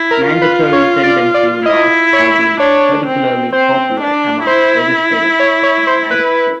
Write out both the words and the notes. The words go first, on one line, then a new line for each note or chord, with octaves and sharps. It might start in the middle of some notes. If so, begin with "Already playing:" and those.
Mandatory sentencing laws have been particularly popular among legislators in the United States.
Already playing: E4
A#4
F4
B4
C#5
D5
D5
E4 D#5
C#5
D4 C#5
C4
C4 C5
D4
E4 C5
C#5
C#5
C5
B4